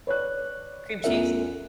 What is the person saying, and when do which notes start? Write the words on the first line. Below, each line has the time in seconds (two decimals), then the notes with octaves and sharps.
Cream cheese?
0.07 B4 C#5 D5 F#6
1.04 E2 A3 C#4 F4 A#4 E5